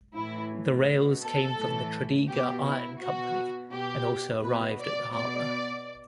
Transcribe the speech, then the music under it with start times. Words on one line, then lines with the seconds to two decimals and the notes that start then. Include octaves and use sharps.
The rails came from the Tredegar Iron Co, and also arrived at the harbour.
0.15 A2 E3 E4
0.87 B2
1.22 A4
1.58 A2 E3
2.29 B2 G4
2.65 E4
3.00 B2 F#4
3.72 B2 G4
4.43 B2 B4
4.79 D5
5.14 B2 D5